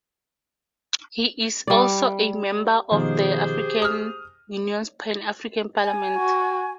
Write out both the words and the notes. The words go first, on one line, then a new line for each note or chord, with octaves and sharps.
He is also a member of the African Union's Pan-African Parliament.
G3 D5
B2 D#3 F3 G4 G#4 C5
D#6 F6
G#5
F#4